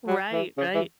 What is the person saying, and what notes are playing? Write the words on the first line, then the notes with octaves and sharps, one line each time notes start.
Right, right.
F#3
E3
C#3
E3